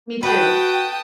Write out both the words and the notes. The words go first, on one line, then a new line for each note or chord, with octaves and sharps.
Me too.
F#4 B4 G5 A5 D#6